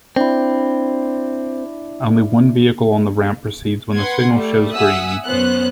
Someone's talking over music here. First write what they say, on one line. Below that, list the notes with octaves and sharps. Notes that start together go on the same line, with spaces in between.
Only one vehicle on the ramp proceeds when the signal shows green.
C4 D4 E4
B4 F#5 C6 G#6
G3 A3
E5 F#5 G#5 D#6 E6 F#6
F#2 B3 C#4 C5 F#6